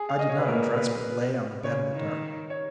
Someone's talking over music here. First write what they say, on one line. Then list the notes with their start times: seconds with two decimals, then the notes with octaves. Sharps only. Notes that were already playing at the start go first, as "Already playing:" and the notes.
I did not undress, but lay on the bed in the dark.
Already playing: G#4
0.09 F5
0.19 D#5
0.29 C#5
0.38 B4
0.48 A#2 A#4
0.77 B4
1.64 C#3 C#5
1.92 D#3
2.50 C#5